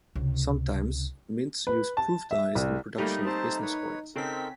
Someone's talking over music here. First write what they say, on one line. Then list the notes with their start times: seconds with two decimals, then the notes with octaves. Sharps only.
Sometimes mints use proof dies in the production of business coins.
0.15 C#2 C3
1.67 B4
1.97 A5
2.31 E5
2.55 C2
2.98 G3 A3 A#3 D#4
3.25 C4 C5 A5
3.62 B4 C#5
4.15 C#3 C4 D#4 A4 A#4 B6